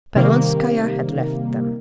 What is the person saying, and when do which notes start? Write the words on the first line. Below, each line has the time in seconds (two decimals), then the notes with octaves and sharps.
Peronskaya had left them.
0.16 C3 D#3 G3 A#3